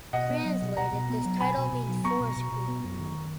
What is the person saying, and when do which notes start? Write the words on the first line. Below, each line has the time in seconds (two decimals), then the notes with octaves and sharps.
Translated, this title means Forest Queen.
0.13 B2 D#5 F#5
0.30 B3
0.45 F#3
0.62 B2
0.77 B2 F#5 A#5
0.93 B2
1.10 B3
1.25 F#3
1.41 B2 G#5 B5
1.57 B2
1.72 B2
1.89 F#3
2.04 B3 A#5 C#6
2.20 B2
2.37 B2
2.52 B2
2.68 B3
2.84 F#2
3.00 D#3